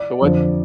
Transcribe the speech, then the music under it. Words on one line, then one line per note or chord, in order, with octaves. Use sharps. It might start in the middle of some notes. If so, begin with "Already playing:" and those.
So, what
Already playing: D5
F2 D3 F3